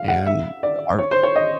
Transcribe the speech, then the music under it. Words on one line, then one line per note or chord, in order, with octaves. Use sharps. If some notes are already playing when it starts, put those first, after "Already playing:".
and our
Already playing: F5
F#5
E5
D5
C#5
C5
C#5
D#5